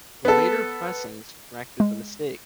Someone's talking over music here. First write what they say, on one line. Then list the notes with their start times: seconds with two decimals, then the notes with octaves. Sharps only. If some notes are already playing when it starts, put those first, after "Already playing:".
Later pressings corrected the mistakes.
0.25 B3 A4
1.80 G#3